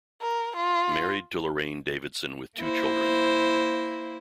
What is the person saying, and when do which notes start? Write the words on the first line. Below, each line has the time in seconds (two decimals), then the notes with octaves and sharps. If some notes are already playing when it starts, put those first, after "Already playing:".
Married to Lorraine Davidson with two children.
0.22 A#4
0.56 F4
2.58 A#3 E4 C5